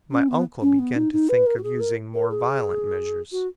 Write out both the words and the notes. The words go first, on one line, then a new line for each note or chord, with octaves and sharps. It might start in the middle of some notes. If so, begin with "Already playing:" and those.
My uncle began to think of using more violent measures.
C#4
B3
C#4
B3
D#4
D#4
B4
A#4
F#4
G#4
A#4
A#4
G#4
F#4